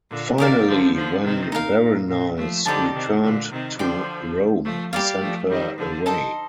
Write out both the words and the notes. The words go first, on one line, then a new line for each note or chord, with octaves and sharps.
Finally, when Berenice returned to Rome, he sent her away.
A#2 D3
C3 D#3 G4 A#4 D5 F5
D3 F3
D3 F3
C3 D#3
D#4 A#4 F5
A#2
A#2
F3 A3
D3 F3 D#4 G4 D5 A5
C3 D#3
A#2 D3
C3 D#3
D3 F3 D5 G5 C6
F3 A3
G3 A#3 G4 D5 F5
F3 A3
D#3 G3
D3 F3
D#4 A4 C5 D#5